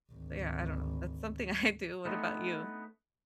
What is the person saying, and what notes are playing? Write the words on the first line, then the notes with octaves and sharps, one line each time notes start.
but, yeah, I don't know. That's something I do. What about you?
G#1 D2
A3 B3 C4 D4 D#4